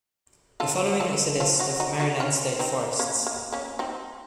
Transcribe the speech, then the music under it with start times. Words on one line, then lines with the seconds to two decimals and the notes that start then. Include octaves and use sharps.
The following is a list of Maryland state forests.
0.60 F4 A4
1.00 F4 A4
1.40 F4 A4
1.59 D#4 F#4
1.80 D#4 F#4
2.00 D#4 F#4
2.20 C#4 F4
2.59 C4 D#4
2.99 A#3 C#4
3.26 A#3
3.52 A#3 C#4
3.79 C4 D#4